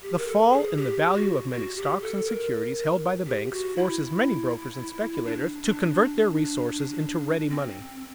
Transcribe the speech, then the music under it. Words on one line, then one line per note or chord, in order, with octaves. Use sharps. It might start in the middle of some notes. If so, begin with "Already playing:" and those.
The fall in the value of many stocks and securities held by the banks forces many brokers and speculators to convert their resources into ready money.
G4
A#4
A4
G#4
G4
F#4
F#4
G4
A4
A#4
G4
F#4
E4
D4
D4
C4